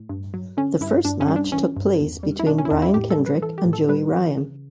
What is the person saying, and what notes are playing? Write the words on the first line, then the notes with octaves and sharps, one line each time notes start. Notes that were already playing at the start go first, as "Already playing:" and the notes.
The first match took place between Brian Kendrick and Joey Ryan.
Already playing: A2
G2
F#3
D3 C#4
G2 E4
G2 D4
C#4
G3
D4
E3 C#4
G2
E2
G3
E4
B2 D4
C#4
E4
E2 D4
E4
A2 G4
A4
G3
B4
E3 A4
G4
A2
A4
G3 B4
E3
C#3